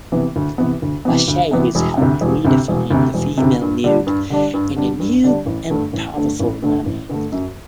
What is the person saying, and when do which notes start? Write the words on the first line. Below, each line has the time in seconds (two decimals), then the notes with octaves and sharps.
Lachaise helped redefine the female nude in a new and powerful manner.
0.12 C3 E3 B3
0.36 D2
0.58 C3 E3 B3
0.82 D2
1.05 C3 E3 B3
1.28 D2
1.51 C3 E3 B3
1.75 E1
1.98 D2 C3
2.21 E1
2.45 D2 C3
2.68 E1
2.90 D2 C3
3.14 E1
3.38 D2 C3
3.61 G2
3.84 D3 G3 D4
4.07 G2
4.30 D3 G3 D4
4.54 G2
4.76 D3 G3 D4
5.00 G2
5.24 D3 G3 D4
5.46 A1
5.70 G2 D3 A3
5.93 A1
6.16 G2 D3 A3
6.40 A1
6.62 G2 D3 A3
6.86 A1
7.09 G2 D3 A3
7.32 F#2